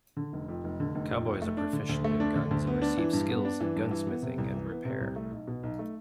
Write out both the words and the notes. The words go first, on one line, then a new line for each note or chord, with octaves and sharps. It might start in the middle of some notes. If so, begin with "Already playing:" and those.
Cowboys are proficient in guns and receive skills in gunsmithing and repair.
D3
F1
F2
F1
D3
F1
F2
F1
A3
D4
D3
D2
A3
D4
D3
D2
B3
D4
E3
G2
B3
D4
E3
G2
E3
B3
C3
C2
E3
B3
C3
C2
A3
B1
B2
B1
A3